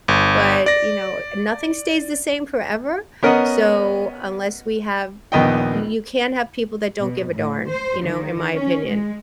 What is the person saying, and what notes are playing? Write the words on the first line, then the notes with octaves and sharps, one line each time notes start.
but, you know, eh nothing stays the same forever. So, unless we have eh I you can't have people that don't give a darn, you know, in my opinion.
G1
D5 A#6
B3 C#4 A#4 D#5 F#5
A#1 D#2 B3 D#5 G5
B2
A2
C5
D#3
C#4
G#3